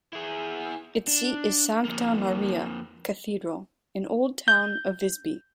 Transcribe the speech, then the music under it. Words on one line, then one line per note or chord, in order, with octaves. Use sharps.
Its seat is Sankta Maria cathedral in old town of Visby.
E4 G#4
D4
F2 A#3
G6